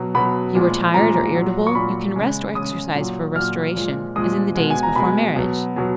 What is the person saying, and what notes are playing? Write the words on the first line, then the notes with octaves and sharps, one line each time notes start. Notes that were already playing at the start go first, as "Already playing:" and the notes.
If you are tired or irritable, you can rest or exercise for restoration, as in the days before marriage.
Already playing: B2 F#3
B2 F#3 B5
A#2 F3 G#3
A#2 F3 G#3 A#5
A#5
A#2 F#3
C#6
A#2 F#3 B5
C#3 G#3
C#3 G#3 D#6
A#2 F#3
A#2 F#3 F6
A#2 F3 G#3
A#2 F3 G#3 D#6
B2 G#3
G#5
A#5
B2 G#3 B5
B2 F#3
B2 F#3